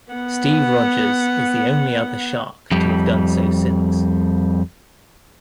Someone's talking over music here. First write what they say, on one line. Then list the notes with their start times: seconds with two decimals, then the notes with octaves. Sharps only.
Steve Rogers is the only other Shark to have done so since.
0.13 B3 F#5
2.71 F2 G3